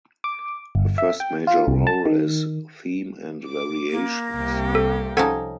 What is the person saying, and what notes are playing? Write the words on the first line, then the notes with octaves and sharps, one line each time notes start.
Her first major role is "Theme and Variations".
D6
G1
E5
G5
F4
C2
A5
D#3
D6
A#3
C2 C3 G4
A4
F3 C#4 D#4 A4 F#5 G#6